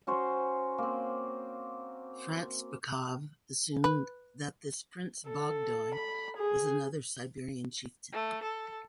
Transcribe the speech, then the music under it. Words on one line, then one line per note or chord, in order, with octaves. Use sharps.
Frantsbekov assumed that this Prince Bogdoy was another Siberian chieftain.
C#4 F#4 C5
A#3 C4
B4
A4
B5
G#4
A3
A4